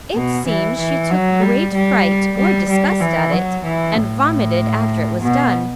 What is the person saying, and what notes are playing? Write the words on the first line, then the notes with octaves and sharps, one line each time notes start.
It seems she took great fright or disgust at it, and vomited after it was done.
B2
E3
E3
F#3
G3
G3
G3
G3
E3
F#3
E3
A2
B2